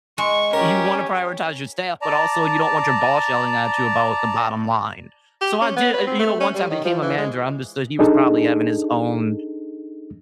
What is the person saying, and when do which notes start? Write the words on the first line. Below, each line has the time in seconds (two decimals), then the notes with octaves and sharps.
you wanna prioritize your staff, but also, you don't want your boss yelling at you about the bottom line. So, I did uh, you know, once I became a manager, I understood he was probably having his own
0.18 G#3 C#6
0.53 C#4 G4 A#4
2.02 D5 A5 A#5
5.41 G4
5.61 C#4
5.76 B3
5.93 B4
6.07 C4
6.19 A3
6.40 C#4
6.55 G3
6.70 D#3
6.85 F3
7.01 E3
7.17 G#3
7.99 D4 D#4 G#4 A4